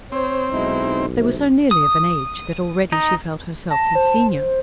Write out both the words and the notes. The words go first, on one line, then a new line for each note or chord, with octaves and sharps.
They were so nearly of an age that already she felt herself his senior.
C4 C5 C#5
B1 G#3 D#4 E4
D2 C3
D#6
D#4
A5 A#6
C5